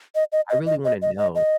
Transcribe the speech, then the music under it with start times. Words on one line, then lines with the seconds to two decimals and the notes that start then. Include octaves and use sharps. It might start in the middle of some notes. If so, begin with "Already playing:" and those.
I really wanna know,
0.15 D#5
0.32 D#5
0.50 D#5
0.66 D#5
0.85 D#5
1.02 D#5
1.18 D#5
1.35 D#5